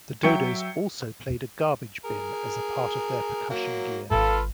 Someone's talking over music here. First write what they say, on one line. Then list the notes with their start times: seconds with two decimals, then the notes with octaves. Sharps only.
The Dodos also played a garbage bin as a part of their percussion gear.
0.23 F#3 E5 G5 C#6 C#7
2.05 G#4 A#4
3.50 F#3 A#3
4.11 G#1 G#2 F4 A4 B4 F5